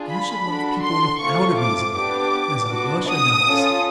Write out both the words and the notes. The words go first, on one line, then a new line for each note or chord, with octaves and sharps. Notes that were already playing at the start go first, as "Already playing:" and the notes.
"You should love people without a reason, as Alyosha does."
Already playing: D4 F4 G#4
B5
D4 F#4 A4
C6
A3 C4 F4 C#6
D6
B3 D4 G4 D6
B3 D4 F#4
D#6
C#4 F4 A4